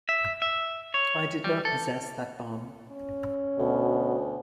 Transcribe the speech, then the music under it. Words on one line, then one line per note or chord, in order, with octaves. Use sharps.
I did not possess that bomb.
E5
E5
C#5
G3
A4
C#4
D2 B2